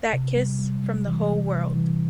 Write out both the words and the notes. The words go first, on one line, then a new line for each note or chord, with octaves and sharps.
That kiss from the whole world!
C3
G3
G3
G3
E3
C3
C3
E3